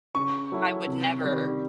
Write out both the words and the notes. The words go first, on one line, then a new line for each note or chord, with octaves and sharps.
Mm, yeah, I would never
C#3 C#6
F#3 A3 C#4 E4
C3
D#3 G3